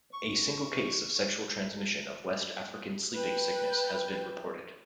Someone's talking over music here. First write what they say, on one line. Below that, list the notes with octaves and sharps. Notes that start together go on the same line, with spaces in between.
A single case of sexual transmission of West African sleeping sickness has been reported.
C#6
B4 G5